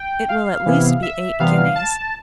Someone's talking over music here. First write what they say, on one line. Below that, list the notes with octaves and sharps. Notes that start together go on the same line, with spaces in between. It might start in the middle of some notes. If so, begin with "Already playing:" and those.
It will at least be eight guineas.
Already playing: G5
F5
C3 E3 B3 E4
E5
C3 E3 G3 B3 F5
A5